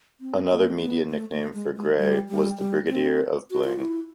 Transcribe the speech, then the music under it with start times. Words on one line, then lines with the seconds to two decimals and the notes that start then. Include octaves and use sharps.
Another media nickname for Gray was the "Brigadier of Bling".
0.20 C4
0.50 A#3
0.80 B3
1.10 A3
1.32 A3
1.54 G#3
1.76 G#3
1.99 G3
2.29 G3
2.58 G3
2.88 C4
3.51 F#4
3.64 F4
3.78 E4